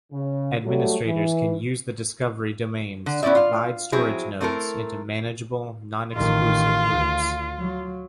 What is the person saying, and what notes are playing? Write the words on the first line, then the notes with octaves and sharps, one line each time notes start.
Administrators can use the discovery domains to divide storage nodes into manageable, non-exclusive groups.
C#3
F#3 G3 A3
E3
D3
B3 C#4 E4 D5 E5
F4 F5
F3 F#3 C4 E4 G#4
A3 C4 E4 A4 A#4
A1 D#3 F4
D2
F#3